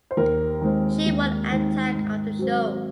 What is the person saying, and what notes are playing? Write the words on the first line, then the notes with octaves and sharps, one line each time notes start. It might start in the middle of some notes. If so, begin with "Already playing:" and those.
She won Attack of the Show!
C5
D#2 A#4
D#3 G#3 C4
D#2
D#3 G#3 C4
G#2
F#3 C4